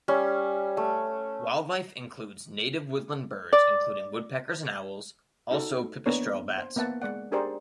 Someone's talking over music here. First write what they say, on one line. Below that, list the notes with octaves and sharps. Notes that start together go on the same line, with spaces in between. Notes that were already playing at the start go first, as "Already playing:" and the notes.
Wildlife includes native woodland birds including woodpeckers and owls, also pipistrelle bats.
G3 C#4
A3
D5
D#4 F#4 A4
A#3 B3 D4 A#4 C#5
C5
A#3 B3 E5 F#5 A5
G#3 D5 F#5
D4 G4 G#4 A#4 C5 D5